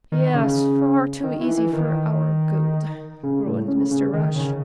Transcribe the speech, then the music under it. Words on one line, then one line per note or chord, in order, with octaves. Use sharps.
"Yes, far too easy for our good," groaned Mr. Rush.
D#3
C#3
D#3
E3
E3
D#3
C#3
A2
C#3
C#3
D#3
C#3